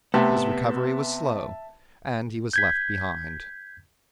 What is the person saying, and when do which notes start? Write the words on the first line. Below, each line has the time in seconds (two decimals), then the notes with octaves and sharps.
His recovery was slow, and he was left behind.
0.14 C3 A3 B3 E5 A5
2.53 G6 G#6 B6